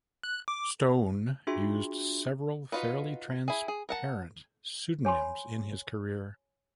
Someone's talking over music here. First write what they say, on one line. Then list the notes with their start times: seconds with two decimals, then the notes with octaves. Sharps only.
Stone used several fairly transparent pseudonyms in his career.
0.23 F#6
0.48 D6
1.47 D4 F4 F#4 G#4 E5 C6
2.72 D#4 F4 F#4 B4
3.48 E4 G#4
3.68 G#4
3.89 A#4 F#5 A5
5.05 C#5 G#5 B5 C6